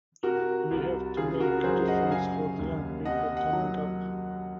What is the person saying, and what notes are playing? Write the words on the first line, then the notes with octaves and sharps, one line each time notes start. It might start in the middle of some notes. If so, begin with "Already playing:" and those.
We have to make a difference for the young people coming up.
C3 F#4 A#4
C2
C#3 F4 G#4
F#4 A#4
F#2 G#4 C5
D#5 F#5
C#3 F5 G#5
D#2
C3 D#5 F#5
D#5 F#5
F#3